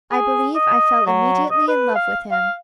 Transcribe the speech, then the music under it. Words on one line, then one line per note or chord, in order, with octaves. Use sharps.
I believe I fell immediately in love with him.
G#4
D#5
F#3
D#5
B4
F5
F5